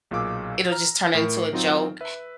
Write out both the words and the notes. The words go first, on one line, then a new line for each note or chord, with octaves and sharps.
it'll just turn into a joke.
B1 A#2 G#4 F5 D6 E6
A#5 F6
A2 A#4 D7
F#3 C4 D#4 F4
B4 E5